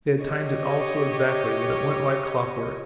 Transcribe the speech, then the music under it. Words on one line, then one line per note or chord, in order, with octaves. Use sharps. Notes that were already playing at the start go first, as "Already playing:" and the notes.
They had timed it all so exactly that it went like clockwork.
G4 C#5 D#5